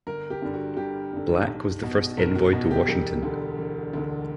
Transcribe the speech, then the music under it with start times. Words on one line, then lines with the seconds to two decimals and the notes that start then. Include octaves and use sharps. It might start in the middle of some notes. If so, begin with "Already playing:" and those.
Blak was the first envoy to Washington.
0.07 G1 A#4
0.30 G4
0.42 G2 D3
0.54 F#4
0.77 G1 G4
1.13 G2 D3
1.47 B1
1.83 B2
2.18 B1 A#4
2.35 F#4
2.53 B2
2.71 G4
2.88 E1 G4
3.23 D2 D3
3.58 E1
3.93 D2 D3